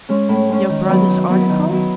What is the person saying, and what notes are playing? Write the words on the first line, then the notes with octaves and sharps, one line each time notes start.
Your brother's article?
G#3 C#4
A2
G#3 C#4
D#3
F#3 B3 E4
D#3
F#3 B3 E4
D#3
F#3 B3 E4